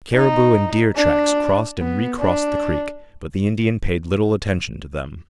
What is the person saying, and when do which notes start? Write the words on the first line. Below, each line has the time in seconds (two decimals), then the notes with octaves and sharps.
Caribou and deer tracks crossed and recrossed the creek, but the Indian paid little attention to them.
0.14 D#4
0.96 D4
1.78 B3
2.20 D4